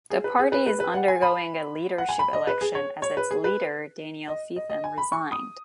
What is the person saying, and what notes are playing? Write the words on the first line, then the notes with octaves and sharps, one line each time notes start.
The party is undergoing a leadership election as its leader, Daniel Feetham resigned.
G#4
B4
G#4
B4
B4
B4
F#5
G#5
B5
F#5
G#5
B5
D#5
B4
G#4
C#5
C#5
B4
G#4
B4
D#5
D#5
D#5
G#5
B5
C#6
D#6